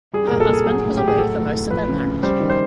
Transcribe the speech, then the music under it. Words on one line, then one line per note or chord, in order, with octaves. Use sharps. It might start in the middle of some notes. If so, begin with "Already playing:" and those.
Her husband was away for most of their marriage.
G3 G#4
A#2 A#4
A4
A#2 G#4
F#3 G#4
A2
A2 G4
G#4
F#3 A4
A2
A2
F3 B4
C#3
C#3
G3 C5
D#3
C5